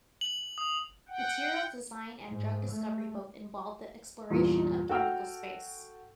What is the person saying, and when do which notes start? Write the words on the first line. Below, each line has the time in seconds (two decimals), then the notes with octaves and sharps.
Materials design and drug discovery both involve the exploration of chemical space.
0.21 F#7
0.58 D#6
1.09 F#5 G5
2.29 G#2
2.71 A3
4.30 E2 G2 A#2
4.89 F#4 A4 F#5 G5 E6 F6